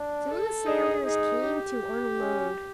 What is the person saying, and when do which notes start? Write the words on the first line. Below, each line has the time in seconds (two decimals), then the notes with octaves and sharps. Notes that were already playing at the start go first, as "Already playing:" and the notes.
Soon the sailors came to unload.
Already playing: D4
0.28 A4
0.66 D#4 G#4
1.04 D#4 G#4
1.44 G4
2.20 C#4